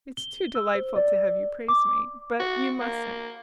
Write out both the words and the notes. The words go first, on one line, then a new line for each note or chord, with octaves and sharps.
It's too delightful to have you praise me--but you mustn't.
G7
E6
C5
D5
D6
F#4
A#3